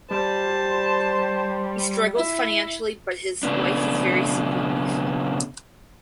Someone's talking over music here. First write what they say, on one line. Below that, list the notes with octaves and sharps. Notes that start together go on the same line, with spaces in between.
He struggles financially but his wife is very supportive.
G3 C5 A5
E4
C#3 B3 D4